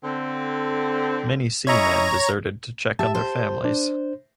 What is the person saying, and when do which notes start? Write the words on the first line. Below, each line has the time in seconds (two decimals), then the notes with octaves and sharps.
Many seamen deserted to check on their families.
0.03 D3 C4
1.67 C#4 E4 C#5 D#5 A#5
2.99 G4 E5 A5
3.15 C5
3.65 D4